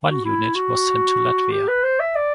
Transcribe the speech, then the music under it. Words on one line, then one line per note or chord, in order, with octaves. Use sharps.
One unit was sent to Latvia.
F#4
E4
F#4
G4
B4
C5
E5
D5